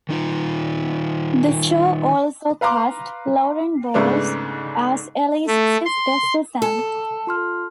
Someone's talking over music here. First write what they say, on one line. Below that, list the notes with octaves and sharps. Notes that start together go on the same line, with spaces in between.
The show also cast Lauren Bowles as Ellie's sister Susan.
D#3 D#4 F4
B4 F5 A#5 C6 D6
G#2 C#3 G#3 A3 B3 D4
A3
C6
A4
F4 C6 F6